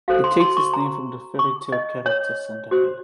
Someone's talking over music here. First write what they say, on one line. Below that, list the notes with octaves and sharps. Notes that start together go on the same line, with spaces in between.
It takes its name from the fairy tale character Cinderella.
F#4 A4 C5 F5
C6
C6
C#6
A#5
C#6
D#5
C#5
F#4 C5